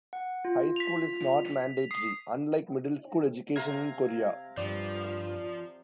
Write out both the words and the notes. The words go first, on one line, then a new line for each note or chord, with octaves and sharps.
High school is not mandatory, unlike middle school education in Korea.
F#5
F4
B6 F7
D#6 C7
C3 F5 A#5 G#6
G2 F3 D5